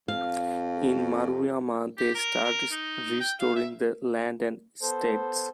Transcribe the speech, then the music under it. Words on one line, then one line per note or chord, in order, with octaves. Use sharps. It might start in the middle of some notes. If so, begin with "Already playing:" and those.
In Maruyama, they start restoring the land and estates.
F2 F5
G4
A#4
A#4
D#4
G5
F5
E5
B3 A4 C5